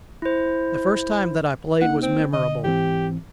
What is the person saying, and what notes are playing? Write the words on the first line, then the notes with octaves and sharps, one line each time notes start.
The first time that I played was memorable.
E4 C5
A#3 D#4 F#5
C4
D3 D#5
G#2 E3 C4 G4